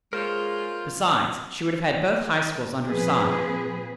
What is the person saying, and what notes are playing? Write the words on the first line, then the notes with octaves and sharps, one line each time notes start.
Besides, she would have had both High Schools on her side.
G#3 F4 A#4 C5 C#5
A#2 F3 C4 G#4 B4